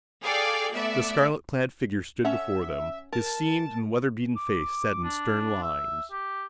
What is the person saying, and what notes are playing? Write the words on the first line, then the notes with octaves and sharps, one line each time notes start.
The scarlet-clad figure stood before them, his seamed and weather-beaten face set in stern lines.
G#4 A4 D5 F5 G5 G#5
A3 B3 D5 E5
C#4 A4 E5 F#5
A#4 A5
D6
D4
E5
G4